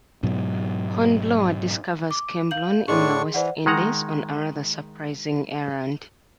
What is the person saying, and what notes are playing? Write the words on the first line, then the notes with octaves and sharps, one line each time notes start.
Hornblower discovers Cambronne in the West Indies on a rather surprising errand.
G#2 B2 F#3
D6
F5 G6 F#7
A2 D4 G#4 D#5 C6 C#6
E3 C5 D5 F#5
D#3 G#3 F#5 A#5